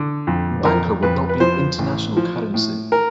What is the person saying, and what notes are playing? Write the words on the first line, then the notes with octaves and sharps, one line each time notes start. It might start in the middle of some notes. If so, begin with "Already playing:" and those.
Bancor would not be an international currency.
Already playing: D3
F2
F2 A#4
F2 B4
B4
F3 C5
A1
F3
A2
A#4